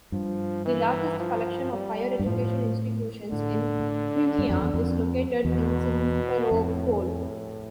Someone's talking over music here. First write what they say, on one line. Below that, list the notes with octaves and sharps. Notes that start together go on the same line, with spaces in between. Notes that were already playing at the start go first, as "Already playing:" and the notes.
The largest collection of higher education institutions in Crimea is located in Simferopol.
G2 F3
E3
F3
G3
G2
A2 F3
A2 D3
G2
F2
E2
F2
E2 B2
F2 A2
A2